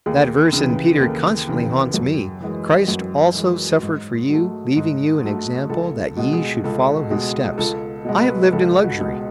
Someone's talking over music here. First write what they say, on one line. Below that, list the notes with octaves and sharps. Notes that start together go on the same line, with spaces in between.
That verse in Peter constantly haunts me: 'Christ also suffered for you, leaving you an example that ye should follow His steps.' I have lived in luxury.
D#2 G#4
C#3 E3
D#2 A4
C#3 E3
F#2
E3 G#3
F#2
E3 G#3
G#2
F#3 A3
G#2
F#3 A3
C#2 A4
B2 G#3
G#4
C#2 A4
B2 G#3
C#2 A4
B2 G#3
B4
C#2 A4
F#4
B2 G#3